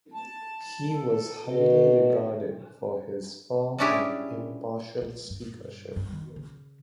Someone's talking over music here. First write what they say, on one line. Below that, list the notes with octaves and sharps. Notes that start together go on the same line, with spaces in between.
He was highly regarded for his firm and impartial speakership.
A5
A4
B2
G3 C#4 D4 E4 G4 G#4
G#3
G2
G2
D#3
C#3